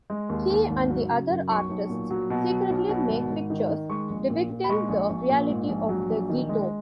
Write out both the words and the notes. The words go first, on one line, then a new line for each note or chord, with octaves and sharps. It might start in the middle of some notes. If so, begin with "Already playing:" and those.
He and the other artists secretly make pictures depicting the reality of the Ghetto.
G#3
D#2
D#2
G#1
F#3
C#3
F#2
B1 C#6
B1
A#2
F#3
B2
F#3
B1
B2
G#1
G#1
D#3
D#3
G#3 C#6
A#1
A#2
A#2
B5
G#3 C#6
A#1
A#1
A#2
G#2
A#1
F#3
A#1
D#3
G#3